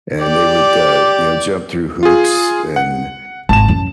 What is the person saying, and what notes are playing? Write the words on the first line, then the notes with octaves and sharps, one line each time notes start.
and they would, uh, you know, jump through hoops, and
G4 D5
F4 G#4
F#5
G#1 A5 E7
F#2 F#3